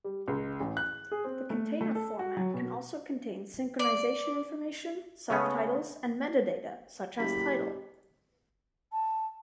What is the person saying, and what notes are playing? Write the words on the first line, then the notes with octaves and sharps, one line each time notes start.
The container format can also contain synchronization information, subtitles, and metadata such as title.
G3
C#2
A1
F#6
G#4
C4
A3
A3
A4
F#4
F#3
B2
D5
C#3 G#3 A3 B3 C#4 G#4
F#1 G4 B5
A5